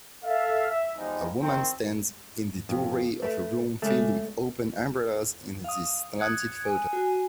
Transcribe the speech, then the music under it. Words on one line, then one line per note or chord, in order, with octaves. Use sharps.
A woman stands in the doorway of a room filled with open umbrellas in this slanted photo.
A4 E5 F5
E5
E2 F3 G3 G#3 D#4
D#3 C4
F2
A3 B4
C#3 G#3 A3 D4
F5 D#6
D#6 F#6 G#6 C#7
G#5
F#4